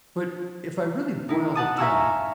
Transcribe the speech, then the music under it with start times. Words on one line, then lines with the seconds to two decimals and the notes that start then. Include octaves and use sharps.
but if I really boiled it down,
1.29 D#4 E4
1.55 F#5 A5 D#6
1.78 E5 F5 G#5 A#5 C#6 E6